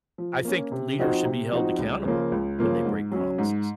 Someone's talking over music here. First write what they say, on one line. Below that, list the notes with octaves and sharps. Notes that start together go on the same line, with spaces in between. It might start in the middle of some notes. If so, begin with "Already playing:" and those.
I think d leaders should be held accountable when they break promises.
F3
A#3 C#4
C3
F3 C4 D#4 F#4
C3
F3 C4 D#4 F#4
C#2
C#3 F3 A#3 F4
C#2
C#3 F3 A#3 F4
G#2
F#3 C#4
G#2